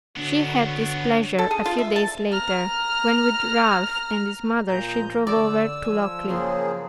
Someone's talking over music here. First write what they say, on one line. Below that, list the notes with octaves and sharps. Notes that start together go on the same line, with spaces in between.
She had this pleasure a few days later, when, with Ralph and his mother, she drove over to Lockleigh.
D3 B3 D4 F#4 C#5
A4
G#4
F4
E5
A5
A#5 F6
A#2 A#5 G6
F3 D#5
D3 D5 E6
F3 G#5
F#2 C#3 A#3 C4 G#4 C6